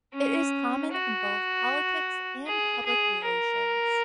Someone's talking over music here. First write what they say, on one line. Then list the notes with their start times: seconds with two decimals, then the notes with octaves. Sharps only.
It is common in both politics and public relations.
0.14 C#4
0.92 F#4
2.47 G#4
2.85 G#4
3.24 A#4